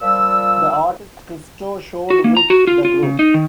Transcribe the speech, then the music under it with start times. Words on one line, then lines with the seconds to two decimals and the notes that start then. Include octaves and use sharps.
The artist Christo showed with the group.
0.01 A#2 F3 G3 E6
2.10 F#4
2.24 A#3
2.37 A#5
2.50 F#4
2.67 F4
2.85 F4
3.03 C#3
3.19 D#4
3.34 D#3